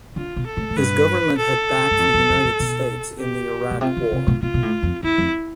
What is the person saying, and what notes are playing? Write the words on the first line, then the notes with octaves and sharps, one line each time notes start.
His government had backed the United States in the Iraq war.
D3 F4
B2
A4
A2
A2
G2 B4
A4
G2
F2
F2
F2
G2
B2
G4
B2
C3 F4
D3
C3
B2
B2 F4
B2
A2
F2
E2 E4
F2